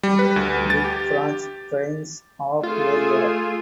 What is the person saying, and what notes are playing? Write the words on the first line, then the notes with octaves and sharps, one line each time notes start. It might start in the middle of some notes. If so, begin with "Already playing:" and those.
Big Branch drains of area.
G3
B4
D2
A6
G4
A3 F4 G#4